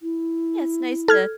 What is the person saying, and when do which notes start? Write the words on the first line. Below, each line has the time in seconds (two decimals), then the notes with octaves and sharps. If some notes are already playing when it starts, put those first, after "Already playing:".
Yeah, it's nice to
0.02 E4
1.08 A4 F6 G#6